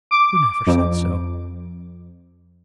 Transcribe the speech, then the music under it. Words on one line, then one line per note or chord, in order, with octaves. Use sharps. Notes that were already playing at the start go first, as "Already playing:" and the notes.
"You never said so."
D6
F2